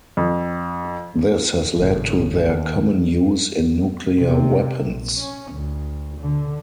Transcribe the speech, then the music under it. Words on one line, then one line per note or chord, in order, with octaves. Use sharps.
This has led to their common use in nuclear weapons.
F2
G#1 A2 C#3
D#2
C3
A#1
C#4
D2
D3